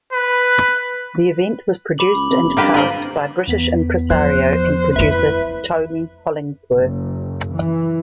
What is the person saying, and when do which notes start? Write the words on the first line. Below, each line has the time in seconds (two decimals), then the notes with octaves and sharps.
The event was produced and cast by British impresario and producer Tony Hollingsworth.
0.12 B4
1.98 B5 D6 F#7
2.14 C#2
2.30 C3
2.43 F#1
2.57 G2 A#3 G4 B4
2.74 F4 A#4 C5 D#7 F#7
3.48 E2 B3 B6
4.10 F3 C5 F#6
4.96 F2 E4 B4 E5
6.71 F#1
7.54 E3